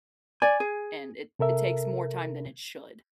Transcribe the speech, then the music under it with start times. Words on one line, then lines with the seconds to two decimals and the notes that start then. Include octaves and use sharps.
and it it takes more time than it should
0.42 D5 G#5
0.60 G#4
1.39 C3 A4 A#4 E5